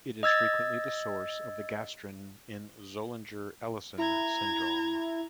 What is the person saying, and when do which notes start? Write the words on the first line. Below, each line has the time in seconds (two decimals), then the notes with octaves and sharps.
It is frequently the source of the gastrin in Zollinger-Ellison syndrome.
0.23 D#5 E6 G#6 A6
3.98 E4 A#5 G#6